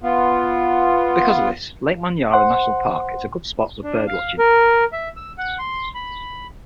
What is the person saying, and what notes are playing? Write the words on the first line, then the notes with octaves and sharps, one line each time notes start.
Because of this Lake Manyara National Park is a good spot for bird watching.
B3 F4
C5 F#5 C6
D4
F5
A#4
E5
E6
F#5
C6
B5